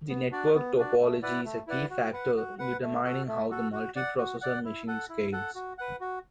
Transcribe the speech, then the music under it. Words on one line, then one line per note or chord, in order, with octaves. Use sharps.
The network topology is a key factor in determining how the multiprocessor machine scales.
B3
D4 F#4 D5
B3
D4 F#4 D5
A3
E4 B4 D5 F#5
A3
E4 B4 D5 F#5
F#4
B4 F#5
F#4
B4 F#5
A3
F#4 A4
A3
F#4 A4
F#4
D5 F#5
F#4
D5 F#5
E4
A4 F#5
E4
A4 F#5
F#4
B4 F#5
F#4